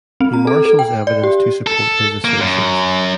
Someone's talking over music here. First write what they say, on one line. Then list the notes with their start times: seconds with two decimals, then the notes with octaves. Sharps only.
He marshals evidence to support his assertions.
0.21 C4
0.33 A#5
0.47 A4
0.65 A4
0.79 G5
1.07 D5
1.23 G4
1.67 A4
2.25 A#3
2.40 F#2